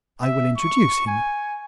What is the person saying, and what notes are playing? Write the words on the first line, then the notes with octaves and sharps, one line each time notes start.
"I will introduce him."
E5
C#6
G#5